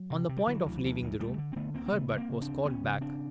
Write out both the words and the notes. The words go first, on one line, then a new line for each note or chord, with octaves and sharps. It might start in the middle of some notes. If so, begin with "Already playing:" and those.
On the point of leaving the room, Herbert was called back.
Already playing: F#3
C3
C3
G3
D3 E3 F#3
D2
D2
D2
D2 G3 A3
D3
C4
D3 A3 B3
D2 A#3 C4
C4
C#3 A3 B3
D2
A#3 C4
C#3
C4 D4
D2
D2 B3 C#4
C#3
C#3 C4 D4